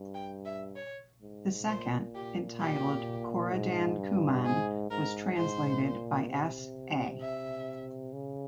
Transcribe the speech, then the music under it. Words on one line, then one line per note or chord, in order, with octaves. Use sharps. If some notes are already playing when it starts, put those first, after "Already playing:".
The second, entitled "Kurudan Kooman" was translated by S. A.
Already playing: G2
G5
E5
C#5
G#2
A#2 C5
G4
G4
G#2
G2
G#2 G#4
G#2 A#4
G#2 C5
A#2
C3
E5
C#3